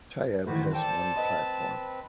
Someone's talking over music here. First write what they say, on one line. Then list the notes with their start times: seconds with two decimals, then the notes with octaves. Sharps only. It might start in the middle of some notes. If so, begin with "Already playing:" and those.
Tyabb has one platform.
0.46 A2 D#3 E3 F#4 B4 C5
0.74 D4 A4 C5 G5 A5
1.16 C4 B4 D#5